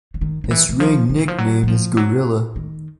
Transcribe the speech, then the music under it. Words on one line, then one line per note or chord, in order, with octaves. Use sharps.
His ring nickname is Gorilla.
E3
D#3
D#3
E3
E3
F3
F3
E3
F3
F#3
F#3
F3
F#3
D#3